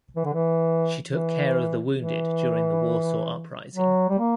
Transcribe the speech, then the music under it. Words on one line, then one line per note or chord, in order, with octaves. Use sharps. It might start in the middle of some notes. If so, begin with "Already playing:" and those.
She took care of the wounded during the Warsaw Uprising.
E3
D3
E3
E3
E3
F#3
G3
A#3